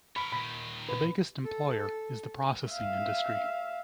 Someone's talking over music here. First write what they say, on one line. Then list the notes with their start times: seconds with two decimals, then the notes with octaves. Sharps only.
The biggest employer is the processing industry.
0.16 A#4 C#5 B5
0.32 A#2 D#3 B5
0.89 B4
1.44 A4
2.71 E5 F5